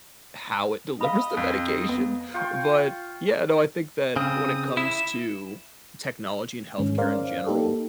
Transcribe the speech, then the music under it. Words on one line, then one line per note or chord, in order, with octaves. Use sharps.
how it delivers the medication. But, yeah, no, I think that when it comes to technology and health care in general,
D#5 F5 B5
F2
B3
F4 G5 C#6
C#3 C4 D#6
E4 E7
G#2 D#3 G#3 C#4
C#4 A#4 C5 D5 F5
A#3 D#4 G4 A4